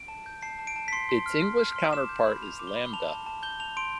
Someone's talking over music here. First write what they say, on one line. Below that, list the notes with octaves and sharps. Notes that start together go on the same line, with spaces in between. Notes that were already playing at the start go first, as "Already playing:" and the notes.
Its English counterpart is "Lambda".
Already playing: D7
A5
G6
A5 C7
A5
D7
A5
B6
C6 C7
C6
F6
C6
F6
C6
D6 E7
G6
B5
B5 F7
D6
G7
B5
G7
A5 F7
A5
A5
G6 G7
A5 F7
C6 D7